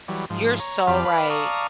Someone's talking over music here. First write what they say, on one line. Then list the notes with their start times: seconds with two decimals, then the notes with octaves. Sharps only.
you're so right.
0.08 E3 F#3 G3
0.30 G#2 F3
0.60 C#5 A#5
0.87 F2 F3 G4 D5 B5 F6
1.05 B4 D5 F5 B5
1.30 D5 F5 A5 A#5 C#6 D#6